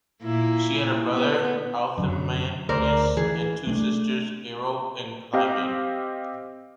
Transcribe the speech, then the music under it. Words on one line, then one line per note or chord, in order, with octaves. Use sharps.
She had a brother Althaemenes, and two sisters Aerope and Clymene.
A#2 A#3 E4
B3
F#2 D3 F#3
D2 A#4 C5 D5
E3 G#4
A3 A#3 D4
C4 G4 D#5 F5